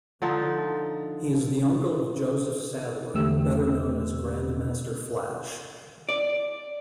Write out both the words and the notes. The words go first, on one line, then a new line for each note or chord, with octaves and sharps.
He is the Uncle of Joseph Saddler, better known as Grandmaster Flash.
D3 F3 D#4
E2 D3 A3 G4 E6
D5